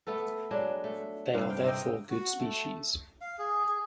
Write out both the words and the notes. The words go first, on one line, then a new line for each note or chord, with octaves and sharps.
They are therefore good species.
A3 B3 A4
F#3 G#3 D4
A3
G2 C3 F5
G5
C3 D#5 G5
F#4
A3
F5
G#4
G#4